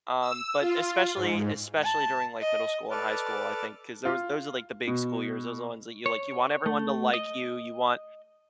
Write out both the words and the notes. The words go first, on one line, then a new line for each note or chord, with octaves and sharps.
Um, but especially especially during, like, middle school and high school, I think, 'cause those those are, like, the big school years, those are ones that you, like, you want everyone to like you, you want
E6
F4
G#2
A5
D#5
A4 B4 D5 A5 D6 F6
F4
B2
C#5
A3
D#5